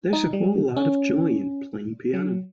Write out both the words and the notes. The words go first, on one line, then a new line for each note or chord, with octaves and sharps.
There is a whole lot of joy in playing piano.
D#4
G3
C#4
F#3